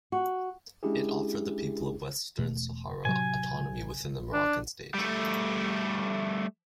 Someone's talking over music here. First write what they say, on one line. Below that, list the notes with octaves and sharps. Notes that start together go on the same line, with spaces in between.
It offered the people of Western Sahara autonomy within the Moroccan state.
F#4
G#3 C#4 D4 E4 G4 G#4
E1 B2 A3
A2 C3 F#3 G#5
D4
G3 A3